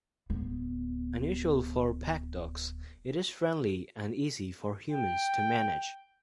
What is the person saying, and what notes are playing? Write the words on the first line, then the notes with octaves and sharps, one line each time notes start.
Unusual for pack dogs, it is friendly and easy for humans to manage.
D1 B3
G5